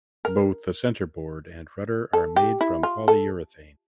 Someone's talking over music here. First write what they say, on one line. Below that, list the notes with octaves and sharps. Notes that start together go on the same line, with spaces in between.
Both the centerboard and rudder are made from polyurethane.
A#4
A4
G4
E4
F4
A4